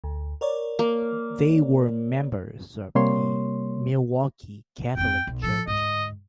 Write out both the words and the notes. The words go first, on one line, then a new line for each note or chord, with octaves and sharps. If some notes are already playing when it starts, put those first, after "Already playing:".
They were members of the Milwaukee Catholic Church.
D2
A#4 C#5 D5
A#3
C3 G3 A#3 C#5 C6
F2 C4 G5
B1
A2 F3 A4
D2 G#2 D#5